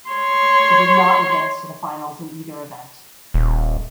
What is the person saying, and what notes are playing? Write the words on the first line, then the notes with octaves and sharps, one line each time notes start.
She did not advance to the finals in either event.
C#5 C6
D#1